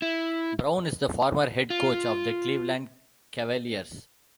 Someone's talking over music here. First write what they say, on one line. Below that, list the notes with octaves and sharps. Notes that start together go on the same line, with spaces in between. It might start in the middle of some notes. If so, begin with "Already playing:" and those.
Brown is the former head coach of the Cleveland Cavaliers.
E4
F4